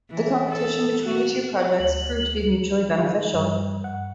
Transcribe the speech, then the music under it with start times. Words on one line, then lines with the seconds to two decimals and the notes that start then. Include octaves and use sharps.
The competition between the two projects proved to be mutually beneficial.
0.10 E3
0.49 A4
1.03 F#4
1.80 D2 F#7
3.00 D#3
3.34 G2
3.84 F#5